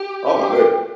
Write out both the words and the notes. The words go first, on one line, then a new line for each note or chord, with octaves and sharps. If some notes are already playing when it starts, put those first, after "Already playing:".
Oh, my goodness.
Already playing: G4